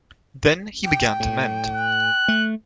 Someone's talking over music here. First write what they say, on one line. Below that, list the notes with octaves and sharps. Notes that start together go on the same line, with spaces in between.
Then he began to mend.
G5
A2
F#6
A3